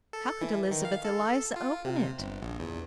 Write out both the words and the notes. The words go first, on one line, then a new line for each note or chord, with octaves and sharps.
How could Elizabeth Eliza open it?
A4
E3
D#3
F5
A4
F4
C3
G1
A#1
E2